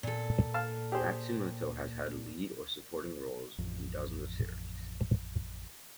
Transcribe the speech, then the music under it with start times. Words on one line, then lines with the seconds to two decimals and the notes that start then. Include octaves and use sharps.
Matsumoto has had lead or supporting roles in dozens of series.
0.03 A#2 A4
0.54 F5 A5 F6
0.92 G4 G#4 C5
3.58 A1 F2